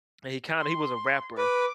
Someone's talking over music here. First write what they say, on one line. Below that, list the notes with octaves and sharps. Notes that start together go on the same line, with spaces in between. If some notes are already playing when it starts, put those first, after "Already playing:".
And he kinda he was a rapper,
C6
B4 D6